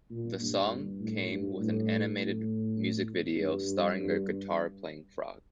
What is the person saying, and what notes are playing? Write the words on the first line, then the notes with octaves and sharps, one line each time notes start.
The song came with an animated music video starring a guitar playing frog.
A#2
G2
A2
G2
A2
A2
G2
G2